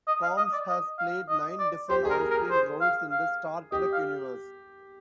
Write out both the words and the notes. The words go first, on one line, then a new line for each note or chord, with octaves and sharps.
Combs has played nine different onscreen roles in the "Star Trek" universe.
D#5
F5
D#5
D5
D#5
F5
D#5
D5
G4 C5
G#4
A#4
A#4
A#4
G#4
C5
F5
F5
G4 D#5
F5